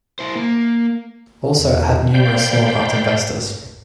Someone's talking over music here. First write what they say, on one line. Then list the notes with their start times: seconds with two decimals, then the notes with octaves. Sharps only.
Also it had numerous small-part investors.
0.19 E4 C5
0.36 A#3
1.59 E2
2.14 C5 D5 F5 G5 B5 G6